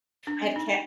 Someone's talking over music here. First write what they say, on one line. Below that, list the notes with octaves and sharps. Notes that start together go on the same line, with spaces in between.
I have ke
D4
C4
D#4